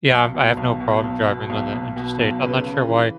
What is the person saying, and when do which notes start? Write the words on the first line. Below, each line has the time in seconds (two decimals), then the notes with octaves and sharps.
Yeah, um, I, have no problem driving on the interstate, I'm not sure why
0.11 B1
0.34 B2
0.57 B1
0.80 B2
1.04 B1
1.27 B2
1.50 B1
1.73 B1
1.96 B2
2.19 B1
2.42 C#3 B4
2.66 C#3
2.88 E3